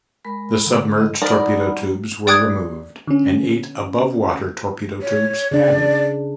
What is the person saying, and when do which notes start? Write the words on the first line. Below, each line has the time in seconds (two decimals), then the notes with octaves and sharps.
The submerged torpedo tubes were removed and eight above-water torpedo tubes added.
0.25 G#3 A#4 B5
0.67 D3
0.98 D#5
1.22 G3 D#4 A#4 D5 F#5 B5
2.27 D5 G5 D6 D#6 F#6 G#6
3.07 D3 C#4
5.02 C#5
5.51 C#3 D4 D5